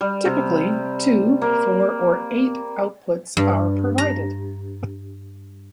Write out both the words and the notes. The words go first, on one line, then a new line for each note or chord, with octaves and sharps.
Typically, two, four or eight outputs are provided.
G3
C3
A#3
G2
A#5